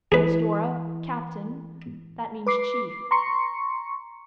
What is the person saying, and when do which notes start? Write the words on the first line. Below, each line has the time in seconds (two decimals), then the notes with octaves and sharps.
Gaizdorra, Captain, that means chief.
0.12 E3 G#4 B4
2.46 B4 D6 C7
3.11 A#5 C6 C#6 C#7